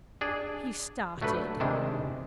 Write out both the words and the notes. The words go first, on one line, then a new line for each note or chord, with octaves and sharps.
He started.
D4 G#4 D5
F#3 A3 D4 B4
C3 D#3 E3 G#3 D4